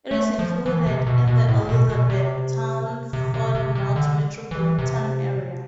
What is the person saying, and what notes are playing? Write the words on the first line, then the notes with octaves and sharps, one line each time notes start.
It is included in the Elizabethtown-Fort Knox Metropolitan Area.
A3
F3
E3
C3
B2
B2
A2
B2
B2
C3
C3
C3
C3
C3
D3
E3
C3